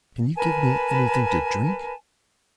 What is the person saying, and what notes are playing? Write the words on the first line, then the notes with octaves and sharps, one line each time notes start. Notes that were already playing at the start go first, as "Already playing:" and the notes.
'Can you give me anything to drink?'
A#4 B4 G#5 A5